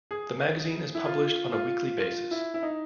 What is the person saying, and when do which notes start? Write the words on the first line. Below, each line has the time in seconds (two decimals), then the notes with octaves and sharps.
The magazine is published on a weekly basis.
0.11 G#4
0.95 E4
1.06 F4
1.52 F4
2.00 F4
2.31 E4
2.54 E4
2.63 D#4